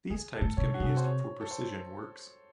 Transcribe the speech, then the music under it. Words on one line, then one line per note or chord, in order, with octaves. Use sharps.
These types can be used for precision works.
E2 G#4
A4
A2
C3 C#5
F#4
C3 G#4
A4
C5
C#5
A4
C5